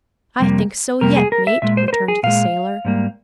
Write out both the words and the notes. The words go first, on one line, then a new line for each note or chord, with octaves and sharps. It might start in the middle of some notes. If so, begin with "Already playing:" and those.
"I think so yet, mate," returned the sailor.
F2 C3 G3 A#3
F2 C3 G3 A#3 A#4
G#4
A#4
E5
A#2 G#3 E5
C5
C5
A#4
G#4
A#2 G#3 F5
G#2 G3 A#3